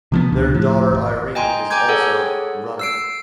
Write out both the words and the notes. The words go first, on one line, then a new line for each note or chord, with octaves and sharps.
Their daughter Irene is also runner.
C3 F3 G3 B3
C#2 B2 D3 D#3
A2 F3
D#1 G#1
D#5 G5 G#5 A#5 C6
G5 G#5 A#5 D6 G6 G#6
G#4 A4 C#5 F#5
E6 C7 D7